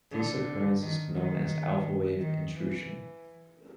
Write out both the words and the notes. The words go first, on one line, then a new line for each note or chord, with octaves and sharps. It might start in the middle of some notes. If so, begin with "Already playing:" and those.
This occurrence is known as alpha wave intrusion.
D3
D#3
D#3
D#3
E3